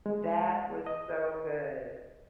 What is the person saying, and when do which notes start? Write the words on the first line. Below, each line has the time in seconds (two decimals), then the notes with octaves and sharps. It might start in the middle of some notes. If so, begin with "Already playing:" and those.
That was so good.
0.06 G#3
0.86 D#5